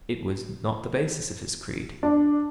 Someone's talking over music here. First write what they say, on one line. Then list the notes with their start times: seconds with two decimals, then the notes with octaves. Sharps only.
It was not the basis of his creed.
2.03 D4